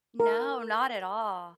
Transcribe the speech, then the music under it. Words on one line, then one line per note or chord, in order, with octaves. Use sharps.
No, not at all.
A#4